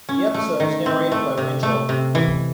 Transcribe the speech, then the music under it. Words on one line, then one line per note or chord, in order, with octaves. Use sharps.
The episode is narrated by Winchell.
C#4
A3
D#3
C4
A3
C3
A3
C3
E3